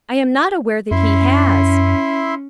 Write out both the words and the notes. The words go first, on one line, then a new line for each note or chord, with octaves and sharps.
"I am not aware that he has."
F#2 C#4 E4 E5 C6